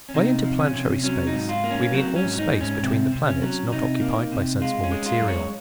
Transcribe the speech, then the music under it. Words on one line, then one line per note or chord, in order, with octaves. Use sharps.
By interplanetary space we mean all space between the planets not occupied by sensible material.
C#4
C3 D#4
F3
C#4
C3
F#3 C#4
D#4
G#2
F4
A#3
C#4
F#3 C4
C#4
G#2
D#4
G#2
C#4
C3 C4
C3
C#4
F#3
C3 D#4
A#3
C3
G#3 F4
C#4
G#3
F4
F#2
C#5